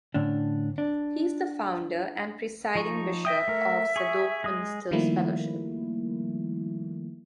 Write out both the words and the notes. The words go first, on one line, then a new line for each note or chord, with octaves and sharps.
He is the founder and presiding bishop of Zadok Ministers Fellowship.
A2 D3 C#4 D4
D4
F3 D#4 C#6
D#5 E5 G5 D#6
A3 A#4
G#4 C#6
G#3 D#6
D#3 F3 G3 A3 A#3 E4